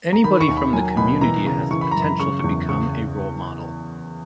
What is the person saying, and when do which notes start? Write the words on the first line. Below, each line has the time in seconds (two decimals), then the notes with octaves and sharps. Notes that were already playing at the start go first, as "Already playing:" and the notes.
Anybody from the community has the potential to become a role model.
0.13 A#5
0.24 D#3 B5
0.40 C#6
0.48 D#2
0.57 B5
0.73 F#3 G#5
0.97 B2 B5
1.21 E3 A#5
1.46 C#3 A#5
1.71 E3 C#6
1.81 B5
1.91 F#2 A#5
2.02 B5
2.20 C#3 C#6
2.40 E2 C#6
2.68 C#3 C#6